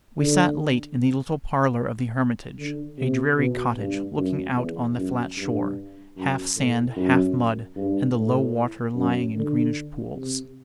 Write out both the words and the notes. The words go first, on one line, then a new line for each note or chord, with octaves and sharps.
We sat late in the little parlour of the Hermitage; a dreary cottage, looking out on the flat shore, half sand, half mud, and the low water lying in greenish pools.
D3
D3
C3
B2
G2
F#2
E2
F#2
G2
F#2
A2
F#2
G2
A2
F#2
D3
C3